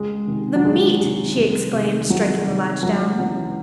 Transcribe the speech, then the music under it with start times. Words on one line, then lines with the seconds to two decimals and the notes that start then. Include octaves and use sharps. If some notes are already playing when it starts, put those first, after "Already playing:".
"The meat!" she exclaimed, striking the latch down.
Already playing: C#2 G#3
0.27 C3 D#3
0.55 F#3
0.64 C#2 G#3
1.00 C3 D#3
1.37 C2
1.73 C3 D#3
2.10 C2 F#3
2.46 C3 D#3
2.83 C#2 F#3
3.19 C#3 E3 F#3